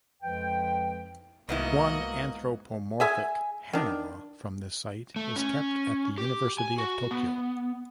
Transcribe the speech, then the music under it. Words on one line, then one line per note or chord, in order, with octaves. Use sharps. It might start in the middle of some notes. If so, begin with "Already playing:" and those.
One anthropomorphic "haniwa" from this site is kept at the University of Tokyo.
F2 F3 G#3 B4 G5
C2 G#2 A#3 B3 E4 F#4 D#5
G#4 E5 G#5
D#3 D4
A3
C#4
G4
G#5
F#4
B3